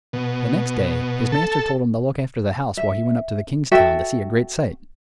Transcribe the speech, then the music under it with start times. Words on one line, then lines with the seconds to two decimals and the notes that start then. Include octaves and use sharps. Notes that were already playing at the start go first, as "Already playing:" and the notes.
The next day, his master told him to look after the house while he went up to the king's town, to see a great sight.
0.13 B2
1.32 A4
2.77 E5
3.72 F#4 A4 E5 G5